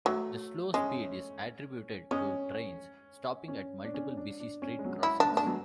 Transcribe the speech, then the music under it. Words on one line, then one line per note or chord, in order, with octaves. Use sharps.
The slow speed is attributed to trains stopping at multiple busy street crossings.
F#3 A3
G#3 C#4
G#3 C#4
C#4
D4
C#4
D4
D4
C#4
G#3
F#3
E4
B3 D4
A3
G#3 D4
F#3